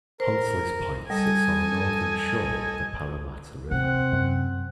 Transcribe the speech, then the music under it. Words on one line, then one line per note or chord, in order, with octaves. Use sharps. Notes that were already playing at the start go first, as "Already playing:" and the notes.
Huntleys Point sits on the northern shore of the Parramatta River.
A#4 C5
G3 A4 D#5 G#5
C3 C4 F#5
F#2